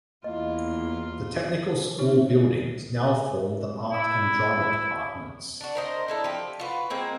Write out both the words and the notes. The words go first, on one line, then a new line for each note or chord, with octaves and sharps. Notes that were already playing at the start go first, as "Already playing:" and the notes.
The Technical School buildings now form the Art and Drama departments.
E2 A#3 E4 F4 D#5
D3 D#4 G4 C#5
E4
D4 F#4
A#4 C5 D#5
D4 E4 A4
F3 G4
F4 F#4 B4
G#3 A#3 C4 G#5